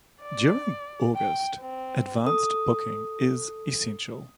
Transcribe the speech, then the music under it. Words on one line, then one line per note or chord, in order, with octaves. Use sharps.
During August advance booking is essential.
D5
G5
C4
A4 D#6